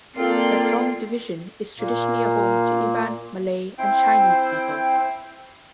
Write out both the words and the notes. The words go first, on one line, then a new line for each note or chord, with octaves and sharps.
Betong division is traditionally a home to Iban, Malay and Chinese people.
A#3 C4 F4 A4 D5 G5
A#2 A#3
C4 E4 C5 G5